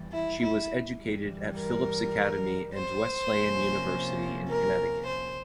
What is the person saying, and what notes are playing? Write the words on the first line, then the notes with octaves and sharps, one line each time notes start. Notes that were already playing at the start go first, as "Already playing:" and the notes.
She was educated at Phillips Academy and Wesleyan University in Connecticut.
Already playing: E2 E3 G3
E4
E4
G2 E3 G3
A#4
C5
C3 F3 A#3 C#4
A#4
C5